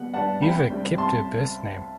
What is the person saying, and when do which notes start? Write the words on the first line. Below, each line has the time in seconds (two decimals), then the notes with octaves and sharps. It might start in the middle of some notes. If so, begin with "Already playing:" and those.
Eva kept her birth name.
Already playing: B2 G3 B3 F#5
0.14 G3 B3 D4 F#5 A5
0.41 C2 G5 B5
0.70 C3 G3 D4
0.98 C2 A5 C6